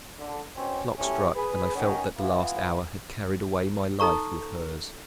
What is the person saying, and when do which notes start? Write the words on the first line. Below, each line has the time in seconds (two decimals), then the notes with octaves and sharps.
The clock struck and I felt that the last hour had carried away my life with hers.
0.18 D3
0.56 B2 C4 C#4
0.98 D2 A2 E3 G3 C#4
1.35 G#4 B4
1.75 D#3 B3 C#4
2.18 E3 B3 E4 F4
4.00 D#4 A4 A#5 C#6